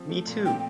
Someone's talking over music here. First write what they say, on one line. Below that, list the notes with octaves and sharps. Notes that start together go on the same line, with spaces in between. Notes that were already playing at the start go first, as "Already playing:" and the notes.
Me too!
Already playing: F3 C4
A3
A#2
C4 G5